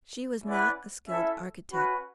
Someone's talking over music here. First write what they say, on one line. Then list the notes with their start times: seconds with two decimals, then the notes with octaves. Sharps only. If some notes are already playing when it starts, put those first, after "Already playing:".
She was not a skilled architect.
0.44 C#4 E4 B4 D5 F#5
1.08 C#4 E4 A4 E5
1.71 C#4 F#4 B4